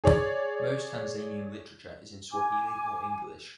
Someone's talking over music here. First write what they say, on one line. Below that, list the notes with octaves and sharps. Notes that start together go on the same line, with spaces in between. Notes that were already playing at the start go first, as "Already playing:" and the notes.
Most Tanzanian literature is in Swahili or English.
G#4 C#5 D5
G#5 D6